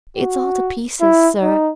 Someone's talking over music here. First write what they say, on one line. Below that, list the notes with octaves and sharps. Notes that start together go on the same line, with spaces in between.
'It's all to pieces, sir.
F#4
E4
D#4